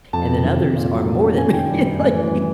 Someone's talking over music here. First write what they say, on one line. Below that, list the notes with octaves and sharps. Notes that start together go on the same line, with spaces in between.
and then others are more than ready to leave,
F2 A5
C3
D#3
F2
A#2
F#3
A#3
C#4
F#2 G#5
D#3 G5
G3
F#2
A2 G#5
E3
G3